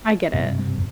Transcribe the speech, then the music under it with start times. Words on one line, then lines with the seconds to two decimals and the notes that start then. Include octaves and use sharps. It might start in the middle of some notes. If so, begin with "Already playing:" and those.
I get it.
0.33 G2 C3